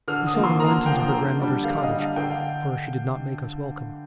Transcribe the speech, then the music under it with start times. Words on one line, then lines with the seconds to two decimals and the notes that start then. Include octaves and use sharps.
We seldom went into her grandmother's cottage, for she did not make us welcome.
0.08 D3 F6
0.26 D#6
0.34 F3 A#3
0.44 C6
0.60 D3 A#5
0.86 F3 A#3 G5
1.12 D3
1.39 G3 D4
1.64 D3 F5
1.77 F5
1.82 D#5
1.90 G3 D4
1.99 F5
2.16 D3 G5
2.30 F5